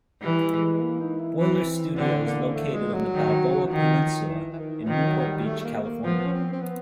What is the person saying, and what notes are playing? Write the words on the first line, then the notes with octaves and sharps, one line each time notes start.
Boller's studio is located on the Balboa Peninsula in Newport Beach, California.
E3 G3
G#3
A#3
D#4
E4
E3 C4
D3 C4
A#3
A3
G#3
F#3
D#3
E3
D#3 F3
F3
E3
E3
D#3
E3
D#3 F3
F#3
G3
A3
A3
A#3
A#3
F3 B3
C#4
C4
C4
B3